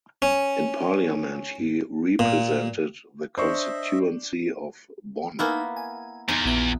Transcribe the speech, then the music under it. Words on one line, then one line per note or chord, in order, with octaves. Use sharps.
In Parliament he represented the constituency of Bonn.
C#4
A#2
D4 C5 D#5 E5 C#6
A#3 B3 D#4 E4 G#5 E6
G#5
E2 D#4 G#5 C6
A#1 B3 E5